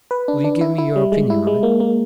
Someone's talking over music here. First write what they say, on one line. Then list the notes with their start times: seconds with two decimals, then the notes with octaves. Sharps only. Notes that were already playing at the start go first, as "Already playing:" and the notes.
Will you give me your opinion of it?'
0.11 B4
0.28 D4
0.44 D4
0.61 E4
0.78 E4
0.96 G3
1.12 G#3
1.30 E4
1.47 G#3
1.63 A#3
1.80 A#3